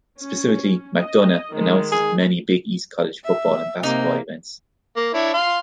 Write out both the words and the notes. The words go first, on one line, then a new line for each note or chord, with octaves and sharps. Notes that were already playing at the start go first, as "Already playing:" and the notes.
Specifically, McDonough announces many Big East college football and basketball events.
C#4
D#5
D#3 G#3
G#4
E5
C3 A#3 D#4
A#3
D4 E4 C#5
F5 C6